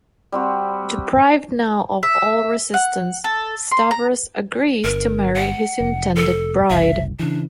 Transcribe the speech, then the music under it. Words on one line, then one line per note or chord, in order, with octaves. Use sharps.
Deprived now of all resistance, Stavros agrees to marry his intended bride.
G3 C4 F#4
E5
F#5
A4
C6
A#5
G1 A#4
F#5
F1
A4
F#1 C2 E5
C#3 E3 D4